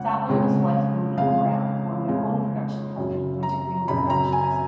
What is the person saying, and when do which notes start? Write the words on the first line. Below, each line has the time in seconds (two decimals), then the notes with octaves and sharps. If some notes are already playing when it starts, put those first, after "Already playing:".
Sattler and his wife Noeline Brown formed their own production company Wintergreen Productions.
Already playing: F2 C#3 G#3 F#5
0.28 F2 C#3 G#3
1.17 F2 C#3 G#3 F5
2.08 F2 C#3 G#3
2.98 F#2 C#3 F#3
3.43 A#5
3.87 F#2 C#3 F#3 B5
4.10 A#5
4.32 G#5